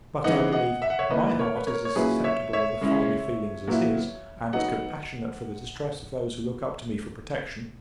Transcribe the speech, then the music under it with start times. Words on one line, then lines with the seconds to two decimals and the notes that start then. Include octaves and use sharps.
But, I believe, my heart is as susceptible of the finer feelings as his, and as compassionate for the distress of those who look up to me for protection.
0.24 C#3 E3 B3 D#4 D#5 F#5
0.52 D#5 F#5
0.82 E5
0.90 F#5
0.99 C#5 E5
1.10 D#3 A#3 E4 B4 D#5
1.29 B4
1.39 A#4 C#5
1.56 B4
1.67 A#4 C#5
1.85 C#5
1.95 A#2 F#3 C#4 E4 G#4 B4
2.24 C#5 E5
2.53 C#5 E5
2.81 C#3 G#3 C#4 E4
3.67 A#2 F#3 B3 E4
4.53 F#3 B3 D#4 D#5 F#5